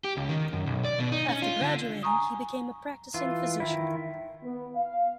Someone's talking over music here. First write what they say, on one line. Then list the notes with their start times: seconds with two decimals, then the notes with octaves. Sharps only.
After graduating, he became a practicing physician.
0.04 G4
0.17 C#2
0.29 D#3
0.53 F#2
0.67 B1
0.84 D5
1.00 B2
1.12 D#4
1.29 C#4
1.42 F4
1.61 D3
2.03 G#5 A#5 C#6 D#6
3.14 E3 F4
3.60 D#3 E4
4.43 B3
4.75 F5